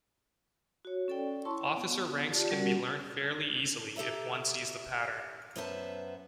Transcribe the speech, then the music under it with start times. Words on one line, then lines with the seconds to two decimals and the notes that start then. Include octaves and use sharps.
Officer ranks can be learned fairly easily if one sees the pattern.
0.85 F#4 C#5
1.08 C#4 A4 D5 G5
1.45 E4 C#5 A5 C6 C#6
1.77 B3
2.31 F4 G4 D5 A5
2.51 G3 C#4 F#4 G4 A#4 F#5
3.96 G4 A4 D#5 E5 A#5
5.56 F#2 B3 B4 C5 E5 A5